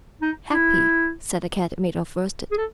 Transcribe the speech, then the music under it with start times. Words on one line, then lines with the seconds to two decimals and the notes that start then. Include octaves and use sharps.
"Happy!" said the Cat-made-of-worsted.
0.22 D#4
0.51 E4
2.51 G#4
2.58 A4